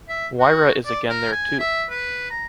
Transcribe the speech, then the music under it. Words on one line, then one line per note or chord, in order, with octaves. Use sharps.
Moira is again there too.
E5
F#4
D5
A#4
G#5
E5
B4
A#5